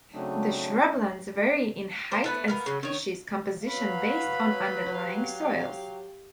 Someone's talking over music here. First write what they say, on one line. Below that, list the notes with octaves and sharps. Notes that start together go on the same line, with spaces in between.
The shrublands vary in height and species composition based on underlying soils.
C#3 F#3 A3 C4 D4 D#4
A#4 C5
A3 B3 B4
A#3 B3 A#4
C#3 F#3
D#3 C#5
F#3 B4 F5 B5
G4 F5